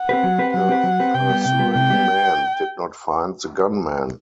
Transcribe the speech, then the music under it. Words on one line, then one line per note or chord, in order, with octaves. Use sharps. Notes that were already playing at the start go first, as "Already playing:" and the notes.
The pursuing men did not find the gunmen.
Already playing: F#5
C4 G4 B4
F#3
C4 G4 B4
F#3 F#5
C4 G4 B4
F#3
C4 G4 B4
C3 G5
G3 B3
C3 G5
G3 B3
C3 G5
G3 B3